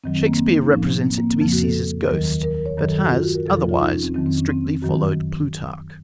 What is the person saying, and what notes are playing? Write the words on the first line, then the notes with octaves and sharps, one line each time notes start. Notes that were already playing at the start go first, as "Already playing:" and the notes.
Shakespeare represents it to be Caesar's ghost, but has otherwise strictly followed Plutarch.
F#2 D#3 F#3 C4
C4
A#3
C4
D#4
A2 F3 C#4
C4
A#3
A#3
C4
F2 C#3 F3 A#3
F#4
A4
D#2 D#3 F#3 A#4
A#4
A#4
C#5
F#2 D#3 F#3
A4
F#4
F4
F#4
A#4
F2 C3 F3 A4
F4
F4
D#4
C#4
C4
F2 D#3 F#3 C4
C4
C#4
C4
F#2 D#3 F#3 F#4